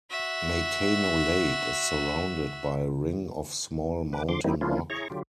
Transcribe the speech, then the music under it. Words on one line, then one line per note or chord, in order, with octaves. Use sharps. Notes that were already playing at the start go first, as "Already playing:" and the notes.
Matano Lake is surrounded by ring of small mountain rock.
F#4 E5
B4 D6
D3 F3 C6 D6
E3 G3 A#3 C4 D#4 E4
F3 A#3 C#4 D4 E4 F4
E4 G#4 C#5 A#5 C#6
D3 F#3 F4 G4